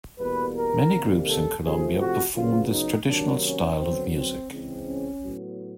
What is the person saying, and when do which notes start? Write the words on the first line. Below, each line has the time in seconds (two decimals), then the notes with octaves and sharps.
Many groups in Colombia perform this traditional style of music.
0.19 E2 B2 G3 A#3 B4
0.56 A#4
0.91 C3 D#3 G3 A#3
1.28 A4
1.64 C3 F3 A3 C4 G#4
2.00 F#4
2.35 F#2 C#3 F#3 B3 F4
2.71 D#4
3.08 C3 D#3 F#3 A#3 D4
3.44 C#4
3.79 F#2 D3 F#3 B3 C4
4.16 C4
4.51 C#3 E3 G#3 C4
4.87 C#4
5.23 A2 F#3 B3